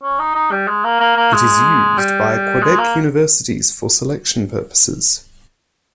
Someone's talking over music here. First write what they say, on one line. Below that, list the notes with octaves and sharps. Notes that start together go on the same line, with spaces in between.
It is used by Quebec universities for selection purposes.
C#4
D#4
D#4
G3
G#3
A#3
A#3
A#3
G#3
G3
G#3
A#3